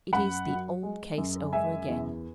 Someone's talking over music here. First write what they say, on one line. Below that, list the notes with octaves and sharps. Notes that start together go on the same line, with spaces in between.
It is the old case over again.
F#2 F#5 B5
F#3
G#3
F#2
G#3 E5 G#5
E2